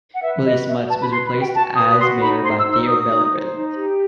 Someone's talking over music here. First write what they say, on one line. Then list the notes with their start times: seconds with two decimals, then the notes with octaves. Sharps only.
Willie Smuts was replaced as Mayor by Theo Beyleveldt.
0.14 F#5
0.23 B4 E5
0.45 F#4 D#5
0.67 F#4 E5
0.89 B4 A5
1.00 B5
1.11 B4 C6
1.26 B5
1.33 F#4
1.40 G5
1.55 F#4 A5
1.77 B4 D#6
1.90 D#6
1.99 F#4 C6
2.21 D#4 B5
2.43 C5 C6
2.58 E6
2.65 D#4
2.72 E6
2.87 F#4 D#6
3.09 D#4
3.31 C5
3.53 D#4
3.75 G4